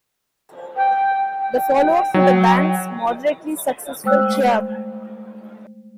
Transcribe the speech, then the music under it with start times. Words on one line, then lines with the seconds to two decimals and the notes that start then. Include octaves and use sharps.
The follow-up to the band's moderately successful Cheer Up!
0.77 G5
1.40 G5
2.14 F#3
4.04 G#3 A3 C5 G5 E6 F#6